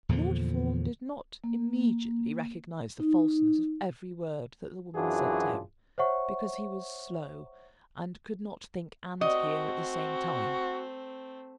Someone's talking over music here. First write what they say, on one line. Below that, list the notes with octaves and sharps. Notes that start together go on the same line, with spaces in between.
Lord Fawn did not immediately recognise the falseness of every word that the woman said to him, because he was slow and could not think and hear at the same time.
E2 A#2 D3 F3
A#3
D#4
F#2 E3 D4 F4 F#4 G#4
C5 C#5 E5 F#5 C#6
A3 C4 F#4 D#5